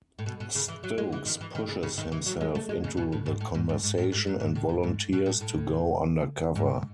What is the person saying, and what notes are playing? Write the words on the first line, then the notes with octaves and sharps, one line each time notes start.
Stokes pushes himself into the conversation and volunteers to go undercover.
A2
B2
B2
C#3
E3
F#3
G#3
E3
D#3
E3
D#3
C#3
C#3
D#3
E3
F#3
G#3
A3
G#3
C#3
B2
A2
G#2
A2
G#2
G#2
G#2
A2
G#2
F#2
G#2
A2
A2
G#2
B2
A2
A2
G#2